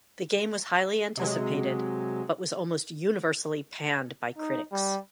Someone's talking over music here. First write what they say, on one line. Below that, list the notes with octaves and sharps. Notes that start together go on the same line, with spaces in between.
The game was highly anticipated, but was almost universally panned by critics.
C3 F#3 G#3
D#4
G3